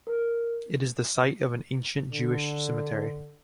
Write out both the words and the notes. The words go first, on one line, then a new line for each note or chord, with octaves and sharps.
It is the site of an ancient Jewish cemetery.
A#4
D3